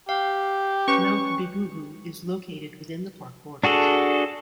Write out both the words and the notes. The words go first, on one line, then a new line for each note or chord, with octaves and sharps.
Mount Bigugu is located within the park borders.
G4 F5
C#4 B4 C#6
D4 F#4 G#4 A4